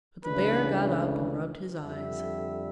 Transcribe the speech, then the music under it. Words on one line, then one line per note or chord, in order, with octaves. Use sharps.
But the Bear got up and rubbed his eyes.
C#2 C#3 E3 A3 D4 B4
F2 D3 G3 E5